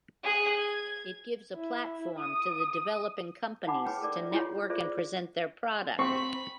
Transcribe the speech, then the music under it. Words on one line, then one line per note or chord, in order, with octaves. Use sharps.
It gives a platform to the developing companies to network and present their product.
G#4 F#6
G#6
E4
D#6
D#4 F#5 G#5 B5 D6
D#4 G#4 B4 C#5 G5
A4 A#4 D5 D6
B4 E5
E4 F4 G4 G#4 C#5
F4 G#4 A4 C5 D5 E5
C4 B5 C#6 B6